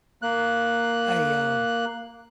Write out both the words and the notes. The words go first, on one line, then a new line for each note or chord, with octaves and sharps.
I, um,
A#3 F#6